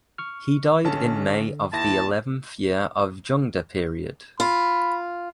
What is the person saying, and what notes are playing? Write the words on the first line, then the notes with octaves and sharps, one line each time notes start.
He died in May of the eleventh year of Zhengde period.
C#6 F6
A1 D3 C#4 A5
D#2 E4 A5 A#6
F4 B5